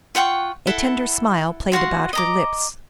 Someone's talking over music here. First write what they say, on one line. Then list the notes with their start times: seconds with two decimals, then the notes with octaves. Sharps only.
A tender smile played about her lips.
0.15 F4 F#5 G5 C#6
0.67 E4 A4 F#5
1.72 F4 F#4 F#5 C6
2.13 D#5 A#5 D6